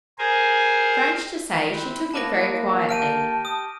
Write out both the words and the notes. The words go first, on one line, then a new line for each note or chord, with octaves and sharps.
Strange to say, she took it very quietly.
G#4 A#4 C5 G#5
C4 E4 B4
A#3 D#5 F5 F#5 A5 D6 A#6
G4 A5 F6 D7 D#7
D#6